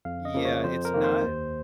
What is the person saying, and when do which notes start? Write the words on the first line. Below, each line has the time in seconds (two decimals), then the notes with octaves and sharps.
Yeah, it's not
0.05 F2 F5
0.25 D#5
0.34 C#3 F3 A#3
0.45 C#5
0.64 F2 C5
0.85 A#4
0.94 D#3 A#3
1.04 C5
1.24 D#2